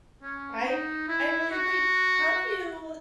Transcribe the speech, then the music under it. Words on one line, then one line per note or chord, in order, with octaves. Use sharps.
I I really agree, how do you
C#4
D#4
E4
F#4